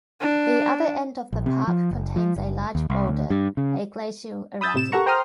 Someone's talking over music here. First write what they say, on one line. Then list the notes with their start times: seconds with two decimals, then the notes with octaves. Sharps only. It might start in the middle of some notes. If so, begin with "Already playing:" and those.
The other end of the park contains a large boulder, a glacial erratic.
0.21 D4
1.33 A#1
1.46 C3
1.67 F3
1.91 F#1
2.16 F3
2.36 F#1
2.75 D#2
2.90 C2
3.08 D2
3.30 G2
3.57 C#3
4.61 B5 D#6 E6 G6 A6
4.74 A2 C3 E7
4.92 G4 A4 A#4 F#5 A#5 C#6
5.06 C5 G5 A#5 C6 D#6 F6